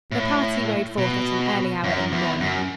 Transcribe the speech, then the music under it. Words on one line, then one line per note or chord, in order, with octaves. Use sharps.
The party rode forth at an early hour in the morning.
A2
B2
F#2
E2
F#2